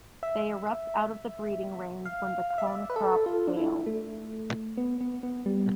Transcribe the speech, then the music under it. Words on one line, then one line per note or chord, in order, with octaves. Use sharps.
They erupt out of the breeding range when the cone crop fails.
E5
F5
F5
E5
D5
E5
B4
A4
F4
D4
E4
A3
B3
B3
B3
G3